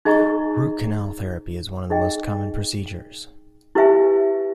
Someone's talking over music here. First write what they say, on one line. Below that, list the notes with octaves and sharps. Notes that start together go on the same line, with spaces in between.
Root canal therapy is one of the most common procedures.
D#4 G#4 D#5 A#5 C#6
D#4 G#4 D#5 G5
E4 G4 B4 E5 G#5